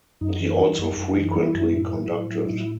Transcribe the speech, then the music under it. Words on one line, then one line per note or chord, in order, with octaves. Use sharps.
He also frequently conducted.
F#2 D#4
E3
G3
F#2
F#2
E3
G3 E4
F#2
A2
F#3
A2
F#3
A2 D#4
E4